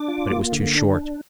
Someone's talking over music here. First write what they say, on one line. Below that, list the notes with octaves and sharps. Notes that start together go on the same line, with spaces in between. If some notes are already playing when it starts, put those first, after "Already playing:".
But it was too short.
Already playing: D4 D6
F4
A#3
D3
D4